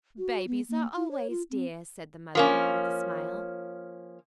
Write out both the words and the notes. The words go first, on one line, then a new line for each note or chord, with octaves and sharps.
"Babies are always dear," said the mother, with a smile.
F#4
B3
A#3
E4
C#5
F4
C4
F3 A#3 C#4